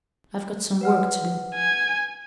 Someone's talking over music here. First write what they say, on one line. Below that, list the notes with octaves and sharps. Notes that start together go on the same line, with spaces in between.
I've got some work to do.
B4 F#5 F6
G#5